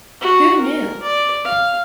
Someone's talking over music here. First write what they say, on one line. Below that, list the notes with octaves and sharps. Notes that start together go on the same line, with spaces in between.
Who knew?
F#4
A#4
D5
F5